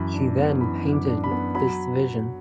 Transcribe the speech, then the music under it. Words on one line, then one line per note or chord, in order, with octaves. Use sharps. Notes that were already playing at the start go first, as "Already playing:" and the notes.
She then painted this vision.
Already playing: F#2 E3 B5
D4
B3
E3 B5
F#2
D6
D4
B5
B3
F#3 B5